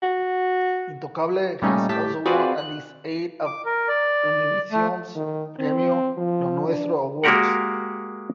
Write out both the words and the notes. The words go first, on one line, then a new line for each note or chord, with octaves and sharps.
Intocable has also won at least eight of Univision's Premio Lo Nuestro awards.
F#4
A#2 G3 A3 C#4 D#4
A2 G4 G5 A5 B6
C4 F4 F#4 G#4 B4 D5
F#6
D6
A#4
D5
A3
D#3
C4
F3
D4
G#3 A#3 F#4 G4 A#4 F#5